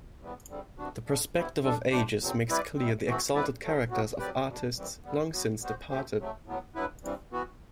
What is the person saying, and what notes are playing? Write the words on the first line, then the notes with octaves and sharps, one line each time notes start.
The perspective of ages makes clear the exalted characters of artists long since departed.
E2 C3 E3 G3 B3
E2 D3 G3 C4
C3 E3 B3 D4 F#4
D3 G3 D4
G2 E3 G3 B3 E4
G3 D4 A4
C3 G3 D4 G4 C5
E2 B2 F#3 C4
G3 C4 E4 B4 D5
C3 G3 C4
C3 E3 A3 C4 F#4
G3 C4 E4 B4 D5
D3 F#3 A3
A2 F#3 B3 F#4
F#3 C4 G4 B4 D5
B2 G3 D4
F#2 E3 G3 C4
D3 G3 B3
F#3 B3 F#4
G3 B3 F#4 C5
B2 A3 C4 G4 C5
C3 F#3 A3
A2 F#3 B3
G2 F#3 B3 E4 B4
G2 E3 G3 C4
E3 B3 F#4